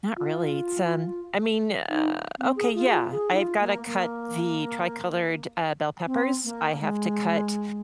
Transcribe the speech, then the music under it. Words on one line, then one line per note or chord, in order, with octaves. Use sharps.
Not really. It's, um, I mean, uh okay, yeah. I've gotta cut the tri-colored, uh, bell peppers. I have to cut
F4
D#4
C4
G#4
F4
G#4
F4
G#4
D#4
F4
A#3
A#3
C4
A#3
G#3